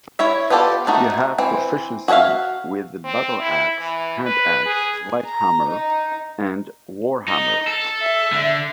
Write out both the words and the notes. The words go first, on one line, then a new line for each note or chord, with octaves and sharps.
You have proficiency with the battleaxe, handaxe, light hammer, and warhammer.
E4 C#5 E5
B3 F4 G4 A4 D5
A3 D#4 F#4
E3 C4
F#4 G#4 C#5 E5 F5
C4
E4
E3
B4
G#4
A#5
D#4
D#4
A4
E5
D3